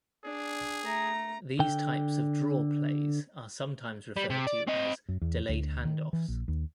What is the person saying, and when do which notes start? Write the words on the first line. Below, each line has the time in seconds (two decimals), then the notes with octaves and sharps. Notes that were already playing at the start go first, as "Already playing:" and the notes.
These types of draw plays are sometimes referred to as "delayed handoffs".
0.25 D4 G#4
0.85 A3 A#5
1.59 D3 G5
4.16 G3
4.30 C3
4.47 D5
4.67 C4 D#5
5.08 F#2
5.21 E2
5.49 D2
5.85 D#3
6.13 E3
6.28 A#1
6.48 D#2